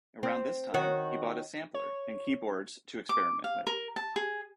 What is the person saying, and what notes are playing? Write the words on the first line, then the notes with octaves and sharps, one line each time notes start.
Around this time he bought a sampler and keyboards to experiment with.
C4
D#3 F#4 C#5
C#5
D6
F5
A#4
A5
G#4